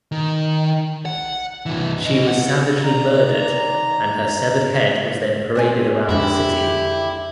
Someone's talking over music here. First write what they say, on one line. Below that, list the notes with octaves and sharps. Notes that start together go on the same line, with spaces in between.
She was savagely murdered, and her severed head was then paraded around the city.
D#3
F#5
C2 E3
B1 D#5
F#5
D#3 D5 A#5
C4 C#5 G#5
F2 G#2 D3 D4 E4 G4